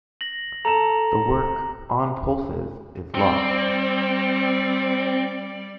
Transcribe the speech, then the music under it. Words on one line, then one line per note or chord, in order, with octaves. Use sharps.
The work "On Pulses" is lost.
A#6 F#7
A4 A#5 E7
G3 C4 D5